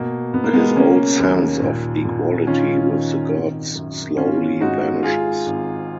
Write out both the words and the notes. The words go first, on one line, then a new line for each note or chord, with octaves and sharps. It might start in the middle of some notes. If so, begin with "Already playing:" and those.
His old sense of equality with the gods slowly vanishes.
Already playing: B2 A#3
B2 B3
A#3
G#3 B3
C#3 A#3 C#4
D#2
A#2
A#2
D#3 C#4 F4
D#3
G#1
F#2
G#1 C#4 F4
G#2 D#4 F#4
G#2 F4 G#4
G#1